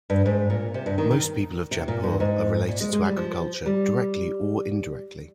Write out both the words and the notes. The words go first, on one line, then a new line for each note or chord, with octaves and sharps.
Most people of Jampur are related to agriculture directly or indirectly.
G2
G#2
A#2
C3
G2
D#3
D#3
C3
A#2
G2
G#2
A#2
G#3
G#3
G3
F3
G3